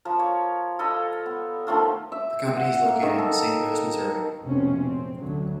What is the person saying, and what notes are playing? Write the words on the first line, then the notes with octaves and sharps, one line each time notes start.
The company is located in Saint Louis, Missouri.
F3 A#4
C#5
A4 D#5 F5 B5
B3
D#3 F3 A3 F4
E5
F#5
A#3
D#3
A4
F1 A#1 B2 C4 C#4
C4
D2 D3 F#3